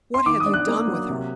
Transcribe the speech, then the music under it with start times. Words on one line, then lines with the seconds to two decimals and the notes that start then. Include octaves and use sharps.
What have you done with her?
0.14 C6
0.26 D#3 D6
0.40 D#6
0.46 D4
0.54 F#6
0.68 A#3
0.88 F#3
1.09 C3